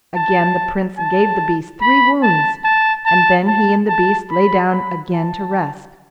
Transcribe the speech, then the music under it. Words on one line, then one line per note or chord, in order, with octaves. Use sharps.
Again the Prince gave the beast three wounds, and then he and the beast lay down again to rest.
A5
A5
B5
A5
A5
A5
A5
A5
B5
B5
A5